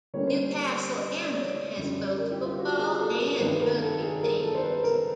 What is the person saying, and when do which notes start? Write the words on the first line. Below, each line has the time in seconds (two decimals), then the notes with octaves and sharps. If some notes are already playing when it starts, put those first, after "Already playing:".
Newcastle Emlyn has both football and rugby teams.
0.14 D3 G3 A#3 C#4 C#5
0.27 C5
0.96 D#5
1.16 D5
1.36 C#5
1.77 F#2 D3 G3
2.18 A#4
2.32 G4
2.45 F4
2.59 F#4
2.79 G#4
3.00 A4
3.13 A#4
3.27 A#4
3.36 C5
3.40 G2 D#3 G3 C4 B4
3.61 A#4
3.82 A4
4.02 G#4
4.22 A#4
4.44 A4
4.55 C5
4.64 B4
4.84 A#4